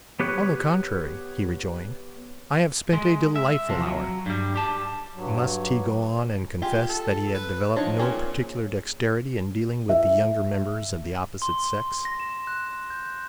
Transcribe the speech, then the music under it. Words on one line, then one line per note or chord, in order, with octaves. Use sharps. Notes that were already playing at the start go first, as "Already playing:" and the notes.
"On the contrary," he rejoined, "I have spent a delightful hour." Must he go on and confess that he had developed no particular dexterity in dealing with the younger members of the opposite sex?
B3 G4 B4 C#5
G#3
E5
C3 F3
F#3
G2 G3
G4 A5
G2 F#3
F4 G4 G#4
A4
B4
F3 D4 D#4 C#5
A#2 C4 C#4 G#4
E5
C6
A#6
E7
F#6
G6